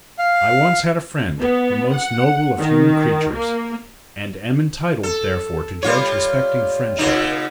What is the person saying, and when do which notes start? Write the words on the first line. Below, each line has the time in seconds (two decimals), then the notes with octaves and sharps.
I once had a friend, the most noble of human creatures, and am entitled, therefore, to judge respecting friendship.
0.19 F5
1.40 B3
1.93 F#5
2.58 D#3
3.33 A#3
5.03 A4
5.83 G3 F4 C#5
6.99 A#2 C#3 D#4